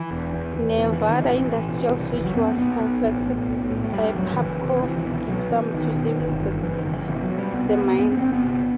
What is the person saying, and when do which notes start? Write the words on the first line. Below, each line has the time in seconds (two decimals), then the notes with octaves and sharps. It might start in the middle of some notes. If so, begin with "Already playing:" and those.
Nevada Industrial Switch was contracted by Pabco Gypsum to service the mine.
Already playing: E3
0.11 E1
0.33 E2
0.55 E2
0.78 B2 E3
0.92 E3
1.00 B2
1.08 D#3
1.22 A1 E3
1.46 A1
1.68 B2
1.91 C2
2.13 F#1 E3
2.24 F#3
2.35 F#2 B3
2.46 B3
2.58 B1 B3
2.81 B1
3.03 A1
3.26 A2
3.48 B1
3.71 A2
3.84 A3
3.93 E1 G3
4.15 E1 F#3
4.33 D#3
4.38 F#1 E3
4.61 C3
4.83 C2 E3
4.98 E3
5.06 B2
5.14 E3
5.28 B2 F#3
5.50 B2 E3
5.74 B1 D#3
5.96 B2
6.18 G1
6.41 G2
6.63 F#1 E3
6.78 D#3
6.86 F#1
6.94 E3
7.09 B2 E3
7.23 F#3
7.31 B2
7.38 G3
7.53 C2 B3
7.69 B3
7.77 C2
7.83 B3
7.98 G2 B3
8.10 C4
8.17 B3
8.21 G1 C4
8.33 B3
8.43 C3